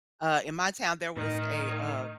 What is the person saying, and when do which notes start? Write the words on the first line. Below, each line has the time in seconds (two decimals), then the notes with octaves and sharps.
uh, in my town there was a, uh,
1.16 A2 D#3